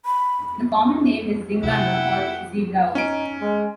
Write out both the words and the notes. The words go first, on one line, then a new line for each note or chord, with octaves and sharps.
The common name is "zingana" or zebrawood.
B5
C3 A3 E4 F#5 G5
C#4 D#4 D7
G#3